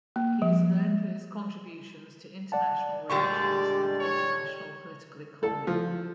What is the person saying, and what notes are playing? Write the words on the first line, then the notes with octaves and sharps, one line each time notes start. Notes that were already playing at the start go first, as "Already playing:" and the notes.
He is known for his contributions to International Relations and International Political Economy.
A#3
F3
D5 F#5 A5
A#2 D3 G3 G#3 D4 G4 D5 C#6
C#5
A4
F3